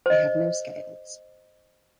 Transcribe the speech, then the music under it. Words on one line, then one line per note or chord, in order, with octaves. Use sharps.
They have no scales.
C5 D#5